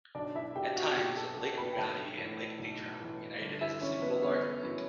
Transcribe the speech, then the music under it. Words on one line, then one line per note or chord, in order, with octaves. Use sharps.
At times, Lake Magadi and Lake Natron were united as a single larger lake.
B1 D4 D5
E4 E5
B2 G4 G5
F#4 F#5
B1 G4 G5
A4 A5
B2 A4 A5
B4 B5
G5
B1 A4 A5
A2 E3
B1
A2 E3
G1
E4 E5
F#2 E3 C#4 C#5
B3 B4
G1 C#4 C#5
F#2 E3